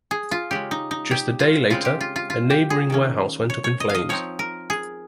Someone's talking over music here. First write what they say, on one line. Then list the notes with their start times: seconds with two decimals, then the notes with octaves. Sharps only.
Just a day later, a neighbouring warehouse went up in flames.
0.11 G#4
0.31 F4
0.51 C#3 G#3 C#4 G4
0.71 D#4
0.91 D#4
1.11 G4
1.40 F4
1.70 C#3 G#3 C4 F4
1.85 G4
2.01 F4
2.16 F4
2.30 F4
2.50 G4
2.70 G#4
2.90 D#3 A#3 C#4
3.50 C#5
3.64 C#5
3.80 D#5
3.89 F5
3.95 D#5
4.09 F3 C4 D#4 C#5
4.39 A#4
4.70 G#4